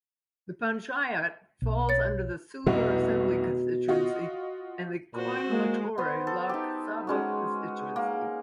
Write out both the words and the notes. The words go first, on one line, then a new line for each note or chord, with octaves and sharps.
The panchayat falls under the Sulur Assembly constituency and the Coimbatore Lok Sabha constituency.
B1
C#5 A6
F1 C2 B2 F#4
F4 F#4 D#5
A#2 F#4 C5
G#3 A#3
B3 C5
A4
D#4 G4
G#3 C#4 F#4
A#3